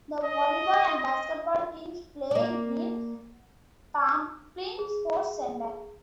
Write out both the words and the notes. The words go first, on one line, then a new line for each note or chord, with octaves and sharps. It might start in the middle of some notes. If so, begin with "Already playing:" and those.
The volleyball and basketball teams play in Pamplin Sports Center.
D#5
D#5
A#3 D5
G#4